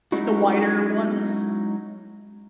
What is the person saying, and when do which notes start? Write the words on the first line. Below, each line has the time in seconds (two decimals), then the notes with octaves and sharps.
Like the wider ones
0.12 F#3 G#3 C#4 D#4 E4 F#4